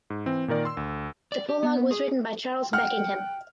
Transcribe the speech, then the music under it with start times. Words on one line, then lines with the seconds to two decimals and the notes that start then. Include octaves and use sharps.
The prologue was written by Charles Beckingham.
0.10 G#2
0.26 E3 C4
0.48 A#2 D#3 A#4 D5
0.65 C6 E6
0.77 D2
1.32 D5
1.49 G4
1.63 B3
1.91 G#4
2.73 F#5 G5 F6